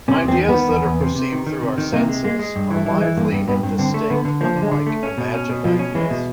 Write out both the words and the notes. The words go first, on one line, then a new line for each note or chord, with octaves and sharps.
Ideas that are perceived through our senses are lively and distinct, unlike imagined ideas.
C3 C#4
E2 C4
D#3
B3
D#3
E2
E2
C3
C3
D#3
D#3
C3
D#3
C3 A#3
G#3
G#3 A#3
G#3
G2
E3
A3
E3 G3
G#3
E3
G2 A#3
G2 B3
G2 B3
G2 C4
D3 C4
A3
D3 B3
D3
F3 A#3
D3
G#3
D3
A3
C#4
B2
C#4
B2
B2 F3
C#4
E3 G#3
B2